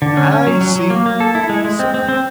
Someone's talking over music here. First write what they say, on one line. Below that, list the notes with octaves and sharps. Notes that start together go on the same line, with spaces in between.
"I see," said he.
D3
C#4
C#4
F#3
F#3
F#3
A#3
A#3
A4
E4
G#3
G#3
C4
C4
C4